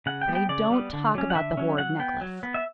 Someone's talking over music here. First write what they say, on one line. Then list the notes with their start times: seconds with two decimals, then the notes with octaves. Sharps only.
"Pray don't talk about the horrid necklace."
0.06 C#3 F#5
0.21 G5
0.28 G3 B3
0.35 G5
0.49 C#3 D5
0.70 G3 B3
0.93 D3
1.14 F#3 C#4
1.30 F#5
1.35 D3 E5
1.57 F#3 C#4
1.78 F#3 F#5
1.99 B3 G5
2.21 F#3
2.43 B3
2.54 E5